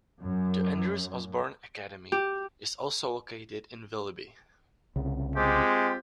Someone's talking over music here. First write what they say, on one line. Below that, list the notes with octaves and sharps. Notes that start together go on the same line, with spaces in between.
The Andrews Osborne Academy is also located in Willoughby.
F#2
G4
C2 C#3
G#3 C4 F4 G4